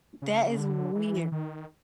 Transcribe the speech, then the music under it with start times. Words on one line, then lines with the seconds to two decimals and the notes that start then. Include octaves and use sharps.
That is weird.
0.22 C#3
0.58 D3
0.95 E3
1.32 D#3